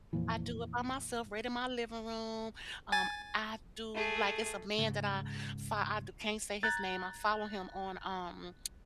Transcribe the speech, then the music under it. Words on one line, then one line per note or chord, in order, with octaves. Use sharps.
I do it by myself right in my living room. Um, I do like, it's a man that I fo I can't say his name I follow him on, um,
F2 A#2 E3
G#5 A6
A3 G#4
G#2 C#3
A#5 F#6 G#6 A6